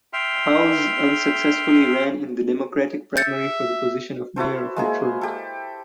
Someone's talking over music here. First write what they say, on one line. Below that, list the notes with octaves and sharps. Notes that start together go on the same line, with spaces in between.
Howze unsuccessfully ran in the Democratic primary for the position of mayor of Detroit.
E5 G5 C6 F6
E5 G6 A6 C#7
E4 F#4 A4 C5
G#3 A#3 G#4
G4 A4